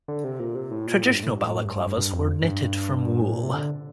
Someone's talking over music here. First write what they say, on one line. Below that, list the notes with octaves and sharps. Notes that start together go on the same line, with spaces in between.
Traditional balaclavas were knitted from wool.
D3
C3
A#2
C3
A2
A#2
A2
G2
A2
G2
A2
A2
G2
G2
G2
G2
F2
G2
A2
A#2
C3
D3